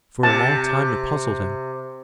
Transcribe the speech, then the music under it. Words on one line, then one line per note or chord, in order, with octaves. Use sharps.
For a long time it puzzled him.
C3 A5